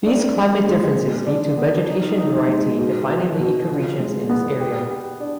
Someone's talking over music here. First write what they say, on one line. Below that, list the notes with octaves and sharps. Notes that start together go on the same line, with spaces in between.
These climate differences lead to vegetation variety defining the ecoregions in this area.
D4
G#3
G#3
G#3
D4
B3
D#4
D#4
G#3
B2
B2
B2
F3
G#3
B3
G4
G4
D4